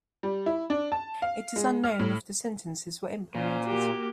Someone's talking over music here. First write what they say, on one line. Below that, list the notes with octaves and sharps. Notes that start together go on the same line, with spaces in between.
It is unknown if the sentences were implemented.
G3
E4
D4
A5
F5
G#3
F6
A2
A#2 C#4 C5
A#3 F#4 G4